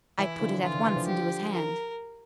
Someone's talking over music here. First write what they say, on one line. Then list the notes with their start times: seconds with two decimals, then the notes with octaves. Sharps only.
I put it at once into his hand.
0.18 E3 E4
0.40 D3 F3
0.63 E3 F4
0.73 D3
0.85 E3
0.96 D3 F3
1.07 G4
1.52 A#4